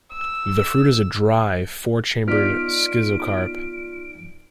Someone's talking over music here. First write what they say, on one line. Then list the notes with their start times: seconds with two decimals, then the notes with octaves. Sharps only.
The fruit is a dry, four-chambered schizocarp.
0.12 E6
2.27 B3 D#4 F4 D5 F6 B6 D7